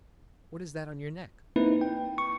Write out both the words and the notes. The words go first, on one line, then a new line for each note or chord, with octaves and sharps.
"What is that on your neck?"
A#3 C4 D#4 E4 B4
G5
C#6